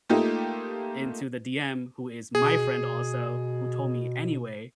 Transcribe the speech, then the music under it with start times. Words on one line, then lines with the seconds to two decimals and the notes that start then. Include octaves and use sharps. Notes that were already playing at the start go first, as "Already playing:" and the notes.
into the DM, who is my friend also- who told me anyway-
0.09 A3 A#3 D#4 F4 G4
2.35 B2 G#4